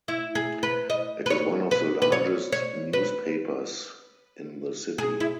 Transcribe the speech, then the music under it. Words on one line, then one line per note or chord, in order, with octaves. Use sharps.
It is one of the largest newspapers in the city.
E4
G#4
B4
D#5
B4
C#5
B4
B4
C#5
C#5
B4
G#4
E4